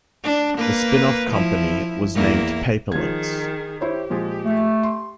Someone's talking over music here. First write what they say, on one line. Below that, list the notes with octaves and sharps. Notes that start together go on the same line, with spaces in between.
The spin-off company was named Paperlinx.
D4
A#3 B4
F3 E4
E2 A#3 E4
D#3 F3 G#4 G#6
E4 G4 C5 C#5
A#2 F3 G#3
A3
C6